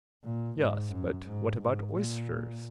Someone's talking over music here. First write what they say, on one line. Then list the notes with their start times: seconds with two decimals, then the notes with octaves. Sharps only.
Yes but what about oysters.
0.24 A#2
0.58 G#2
0.92 F#2
1.26 G#2
1.61 G#2
1.95 A#2